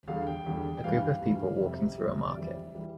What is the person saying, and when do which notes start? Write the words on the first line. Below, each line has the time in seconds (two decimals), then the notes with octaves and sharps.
A group of people walking through a market.
0.08 E2 D3 G3 F5
0.27 G5
0.46 E2 D3 G3
0.77 G5
0.84 G2 E3 G3 F5
1.22 G2 E3 G3
1.60 F2 C3 G3 E5
1.98 F2 C3 G3
2.27 D5
2.36 F2 E3 G3 E5
2.75 E3 G3